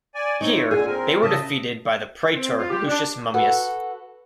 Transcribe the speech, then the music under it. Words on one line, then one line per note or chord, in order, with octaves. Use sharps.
Here they were defeated by the "praetor" Lucius Mummius.
D5 G#5
C4 D#4 C#5
A#2 D3 G#4 G#5
C4 A#4
C#3 D#5 E5 A5
C4
F4
G4
D4
F#4 A4 B4